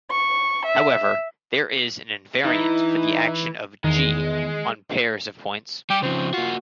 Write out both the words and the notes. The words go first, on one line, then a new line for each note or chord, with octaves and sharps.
However, there is an invariant for the action of "G" on "pairs" of points.
C#6
E5
E3 D#4 E4
E2 D#3 G#3
G3 G4
C#3 F3 C4
A#3 F4 F#4